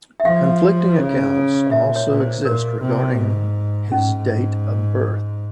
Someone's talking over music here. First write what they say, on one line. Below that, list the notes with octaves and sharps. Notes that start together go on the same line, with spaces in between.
Conflicting accounts also exist regarding his date of birth.
E5
F3 F5
C#3
A#2 E5
C#5
A#2
C5
A#2 A#4
C3
G#2
G#2 C#4